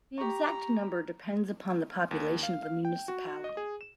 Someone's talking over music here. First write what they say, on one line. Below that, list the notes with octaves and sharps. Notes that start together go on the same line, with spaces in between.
The exact number depends upon the population of the municipality.
G4 A#5 C#6
D#2
F5
F5
G5
F#4
D#5
G#4
E7